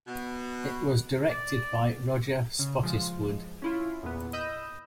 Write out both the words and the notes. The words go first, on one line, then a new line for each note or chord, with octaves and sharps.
It was directed by Roger Spottiswoode.
B2
D5
C#3
F3 G#3
C#4 E4 F4
E2 A#2 B3
D#5 B5 D#6 E6 G6 A#6